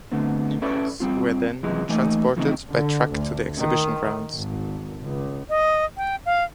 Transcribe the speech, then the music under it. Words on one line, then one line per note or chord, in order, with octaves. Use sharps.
The animals were then transported by truck to the exhibition grounds.
D3 A3 B3 C4
C#4 E4 A4 B4 D5
G2 G3 C4 F4
F#2 C3 E3 F3 G#3
E3 A3 A#3 D#4 C5 G#5
C#3 E3 F3 A3 C4 D#4
D3
D2
D#3
G#1
C#2
D#5
G5
F5